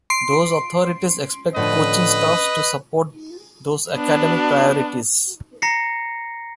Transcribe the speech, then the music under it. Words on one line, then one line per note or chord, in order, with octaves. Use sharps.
Those authorities expect coaching staffs to support those academic priorities.
C6 C7 D7
A2 D3 F3 B4 D#5
B3 D4
A#5 A#6 C7 C#7